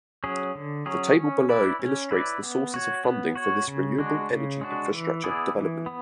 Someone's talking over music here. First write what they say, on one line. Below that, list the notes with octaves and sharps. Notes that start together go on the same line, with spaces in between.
The table below illustrates the sources of funding for this renewable energy infrastructure development.
F#3 C#4 G#4
D3
F#3 C#4 G#4
C#4
E4 B4 D5
C#4
E4 B4 D5
B3
F#4 C#5
B3
F#4 C#5
C#3
G#3 D4 F#4
C#3
G#3 D4 F#4
E3
B3 E4 G#4 D5
E3
B3